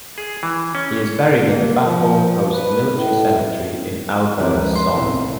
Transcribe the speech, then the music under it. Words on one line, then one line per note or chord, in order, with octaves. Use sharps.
He is buried at the Bapaume Post Military Cemetery in Albert, Somme.
G#4
E3
C#4
A#3
F3
B4
A2
E3 F3 C4 G4 A4 A#4
D2 G#3 D4 B4
C6
C2 A2 C3 E3 E4
B3 C4
C#4